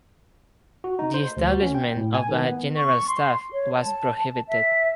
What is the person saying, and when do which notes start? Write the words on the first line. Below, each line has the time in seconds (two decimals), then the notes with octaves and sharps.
The establishment of a general staff was prohibited.
0.84 F#4
0.99 D#4
1.14 C5
1.37 D2
1.50 F#4
1.62 C#4
1.75 G5
1.96 A2
2.14 G#5
2.29 D#3
2.42 B3
2.77 C#6
3.08 C6
3.53 C#5
3.74 A5
4.49 E5